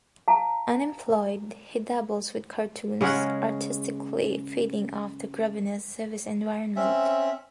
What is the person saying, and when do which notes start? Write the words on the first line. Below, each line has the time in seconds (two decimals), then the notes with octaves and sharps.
Unemployed, he dabbles with cartoons, artistically feeding off the grubbiness of his environment.
0.28 F5 A5 A#5
3.01 C#3 G#3 C#4 F#5
6.76 C4 C#4 E5